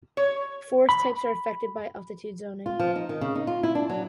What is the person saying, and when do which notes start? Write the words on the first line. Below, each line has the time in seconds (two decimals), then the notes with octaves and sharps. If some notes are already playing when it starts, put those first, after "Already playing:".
Forest types are affected by altitude zoning.
0.17 C#5
0.89 B5
2.66 F4
2.80 F3
2.96 D#4
3.09 D#3
3.21 C#3
3.35 D#4
3.47 F4
3.63 E4
3.75 D4
3.89 F#3